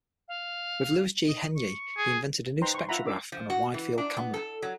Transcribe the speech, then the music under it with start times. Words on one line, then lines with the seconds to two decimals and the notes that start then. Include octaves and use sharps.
With Louis G. Henyey he invented a new spectrograph and a wide-field camera.
0.28 F5
1.27 D#5
1.55 C#6
1.98 G#4
2.61 D#4 B4 C5 G5 A#5 C6
2.75 C6 C#6
2.89 F4 E5 F#5 A#5 B5
3.05 C#4 D4 A#4 D6 E6
3.32 F3
3.50 F#4
3.74 E3
3.98 D4
4.17 B3
4.34 A4
4.62 F#3